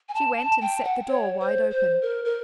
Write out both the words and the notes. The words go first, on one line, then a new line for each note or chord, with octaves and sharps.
She went and set the door wide open.
G#5
A5
A5
G5
F#5
C#5
C5
C5
A#4
A#4